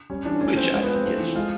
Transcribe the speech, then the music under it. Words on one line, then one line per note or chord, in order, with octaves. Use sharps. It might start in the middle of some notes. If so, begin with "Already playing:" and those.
which at it's
G3 C#4
E3 D4
A3 C#4
F3 C4
G#3
B3
F3
C4
A3
E3
G#3 F4